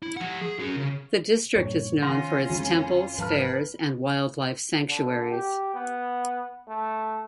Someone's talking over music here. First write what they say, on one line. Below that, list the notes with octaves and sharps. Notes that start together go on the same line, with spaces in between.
The district is known for its Temples, Fairs and Wildlife Sanctuaries.
E4
F3 F#5
G#4
C#4 F#4
C#3
G2 A#2 F3 C#5
D#3 F3 C#4 F4 F#5 C6 A#6
F2 D3 G#3
G#1 F3 F#3 B4 F5 A5 F6
D3
G4
B3
A3